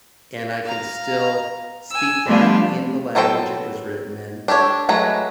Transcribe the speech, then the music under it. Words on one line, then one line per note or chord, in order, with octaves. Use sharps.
and I can still speak that in the language it was written in.
F5 A#5
G#5 E6
F3 G3 A3 B3 D4 F4
F#3 B3 A4 C5 G5
D4 G4 A4 C#5
F#3 G#3 A3 B4 A#5